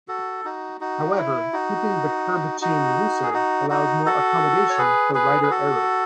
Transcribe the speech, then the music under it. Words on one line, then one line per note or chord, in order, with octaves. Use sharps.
However, keeping the curb chain looser allows more accommodation for rider error.
F#4 A4
D#4 F#4
D#4 F#4
E4
D#4 F#4
D#4 F#4
G#4
D#4 F#4
D#4 F#4
F#4 A4
C#5
G#4 B4
G#4 B4
B4
F#4 A4